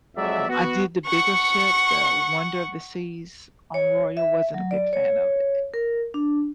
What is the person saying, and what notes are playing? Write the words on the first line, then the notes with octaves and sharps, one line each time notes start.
Um, I did the bigger ship, the Wonder of the Seas on Royal wasn't a big fan of it.
F2 F#3 G#3 D5 E5
B3 F#4
F#5 C#6
C#5
E5
F#3
D5
C#5
A#4
D4